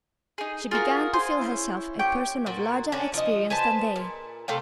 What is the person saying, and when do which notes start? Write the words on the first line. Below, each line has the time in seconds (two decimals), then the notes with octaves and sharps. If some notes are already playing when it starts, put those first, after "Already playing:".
She began to feel herself a person of larger experience than they.
0.38 D#4 G#4
0.71 F4 F#4 G#4 A#4
1.13 C5 G#5
1.39 C#4 E4
1.99 A#2 G4 C#5 G5
2.46 A#2 F#4
2.92 C#4 D4
3.14 F3 D#5
3.50 G#4 B4 C5 A5
3.96 A#2
4.48 C3 A3 F5 G5